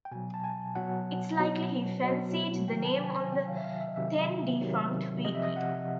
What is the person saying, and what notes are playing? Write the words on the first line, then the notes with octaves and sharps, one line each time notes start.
It's likely he fancied the name of the then-defunct weekly.
G5
B2 F#3 G#5
A5
G#5
B2 F#3 F#5
B2 F#3
B2 F#3
C3 D#3 F#3 G5
A5
G#5
G#5
C3 D#3 F#3 G5
F5
E5
F5
E5
D#5
C3 D#3 F#3 E5
C3 D#3 F#3
C3 F3 D#5
E5
D#5
F#5